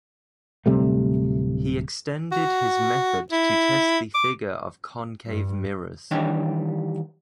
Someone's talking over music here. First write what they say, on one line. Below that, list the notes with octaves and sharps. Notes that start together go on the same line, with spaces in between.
He extended his method to test the figure of concave mirrors.
D1 C3 G3 A3
F#4
E4
D6
G2
D#3 E3 G3 D4 G4 C#5